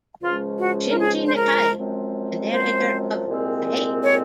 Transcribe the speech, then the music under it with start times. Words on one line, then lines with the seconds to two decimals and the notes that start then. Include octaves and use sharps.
Shinji Nakae the narrator of the Hey!
0.22 C#2 C#3 F3 G#3 C#4 F4
0.60 F#4
0.90 A#4
0.99 G#4
1.27 C5
1.36 A#4
1.76 F#2 F3 G#3 C4
2.52 C5
3.28 C2 A#2 G#3 C4
4.04 C#5